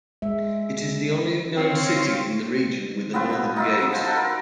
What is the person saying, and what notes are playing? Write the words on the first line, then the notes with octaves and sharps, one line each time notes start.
It is the only known city in the region with a northern gate.
G#3 E5
C4 C#5 F5 C6
B3 C4 F4 B4
B2
D#4 F4 E5
A4 C5
A4 F#5 A5 B5
A#4 B4